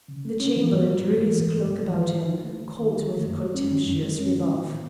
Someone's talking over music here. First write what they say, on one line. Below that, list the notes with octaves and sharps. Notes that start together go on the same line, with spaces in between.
The Chamberlain drew his cloak about him, cold with a contemptuous rebuff.
C#3
A3
C#4
E3
G#2
G#3
G#2
E3
G#2
G#3
G#2
E3
D#3
D#4
D#3
A3
D#3
D#4
D#3
A3
F#2
G#3
C#4
D#3
F#2
G#3
C#4
D#3
A2
B3